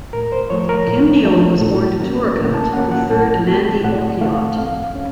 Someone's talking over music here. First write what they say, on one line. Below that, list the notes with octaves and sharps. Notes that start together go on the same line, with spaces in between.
Kimnyole was born to Turukat, the third Nandi Orkoiyot.
A2 A#4
C5
F3 A3 C#5
A#4
A2
F3 A3
A2 A4
F#3 A#3 C#4
A2 A#4
A5
F#3 A#3 C#4 F#5
F#5
A2 A5
A3 C4
A2 F#5
A3 C4 F5
F2 F5
C#4